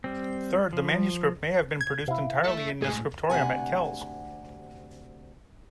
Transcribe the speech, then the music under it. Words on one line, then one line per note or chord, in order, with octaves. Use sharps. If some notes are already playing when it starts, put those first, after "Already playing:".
Third, the manuscript may have been produced entirely in the scriptorium at Kells.
G3 C4
F3
G#6
C3 E4 F5
A4 E5
A2 G#3 G#4
D2 C3 F#5 G#5